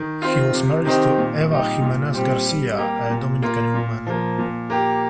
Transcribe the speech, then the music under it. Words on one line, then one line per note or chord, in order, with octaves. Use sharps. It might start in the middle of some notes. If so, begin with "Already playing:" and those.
He was married to Eva Jimenez Garcia, a Dominican Woman.
Already playing: D#3
C4 F4
C3
D#3 C4 D#4 G4
A#2
G3 D#4 G4
A#2
G3 C4 G4
G3
A#3 G4
A#2
A#3 F4
A#2
F3 A#3
A#2
A#3 G4